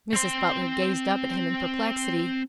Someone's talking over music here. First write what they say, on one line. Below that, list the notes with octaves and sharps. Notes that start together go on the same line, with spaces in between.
Mrs. Butler gazed up at him in perplexity.
C4 C6